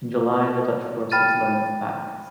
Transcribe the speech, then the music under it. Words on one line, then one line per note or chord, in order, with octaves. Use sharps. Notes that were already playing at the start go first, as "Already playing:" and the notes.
In July, the Dutch forces learned the facts.
G5 B5 F6 A6 D#7